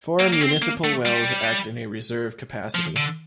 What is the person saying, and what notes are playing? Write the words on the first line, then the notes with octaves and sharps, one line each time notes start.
Four municipal wells act in a reserve capacity.
A#3
A#3
C4
A#3
A3
G3
F3
D3